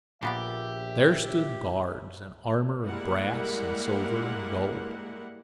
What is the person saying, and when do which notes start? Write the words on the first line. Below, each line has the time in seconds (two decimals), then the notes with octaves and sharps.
There stood guards in armor of brass and silver and gold.
0.23 A#1 A#2 B3 G4 D5 E5
2.82 G3 G#3 A#3 E4 A#4 F#5